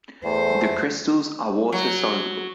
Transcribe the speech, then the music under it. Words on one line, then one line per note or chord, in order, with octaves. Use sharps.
The crystals are water-soluble.
E2 A3 C5
F#3